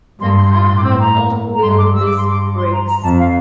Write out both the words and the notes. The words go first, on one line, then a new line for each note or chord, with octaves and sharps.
The car had all wheel disc brakes.
G2 C6
C6
C6
A2 C6
D6
E6
A#5
A#5
G2 C6
D6
E6
G2 D6
C6
D6
C6
A#5
A#5
F2 A5
F5